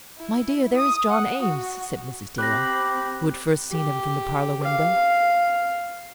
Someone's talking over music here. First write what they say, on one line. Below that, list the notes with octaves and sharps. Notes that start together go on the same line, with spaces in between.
"My dear, there is John Eames," said Mrs. Dale, who had first seen him from the parlour window.
E4
D#6
F#5
F#4
C4 G4 B5 F#6 A#6
G4
F5